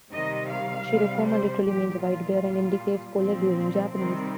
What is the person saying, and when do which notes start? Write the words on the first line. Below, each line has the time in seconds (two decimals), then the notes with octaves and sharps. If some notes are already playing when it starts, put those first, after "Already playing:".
Shirokuma literally means "white bear", and indicates "polar bear" in Japanese.
0.10 C3 D#3 G3 D#5
0.48 F5
0.86 C3 G3
1.26 C5
1.64 A#2 F3 G4
2.02 F4
2.41 A#2 G3
3.16 A#2 F3 C4
3.93 C3 D#3 G3 C4